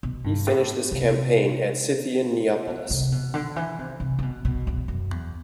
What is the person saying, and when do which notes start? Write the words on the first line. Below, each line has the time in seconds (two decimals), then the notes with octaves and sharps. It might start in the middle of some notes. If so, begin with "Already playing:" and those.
He finished this campaign at Scythian Neapolis.
0.03 B2
0.24 G2
0.47 A2
0.92 C3
2.67 B2
2.90 C3
3.12 B2
3.34 D3
3.56 E3
3.79 C3
4.00 C3
4.19 C3
4.22 B2
4.45 B2
4.67 E2
4.88 F#2
5.11 E2